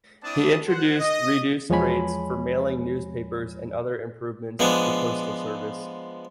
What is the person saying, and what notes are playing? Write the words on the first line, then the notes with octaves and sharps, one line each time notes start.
He introduced reduced rates for mailing newspapers and other improvements to the postal service.
C4 D4 E4 D5 A5 D#6
C5 F#5
D#5
E2 F3 G#3 C#5 G#5 B5
F3 G#3 B3 D4 G#5